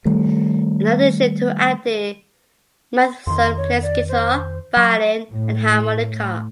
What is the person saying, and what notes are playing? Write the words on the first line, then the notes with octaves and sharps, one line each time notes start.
In addition to acting, Matheson plays guitar, violin and harmonica.
D#3 G3 A3
F2 D#3 C6
C#5
D5
C5
F#3 C#6
A2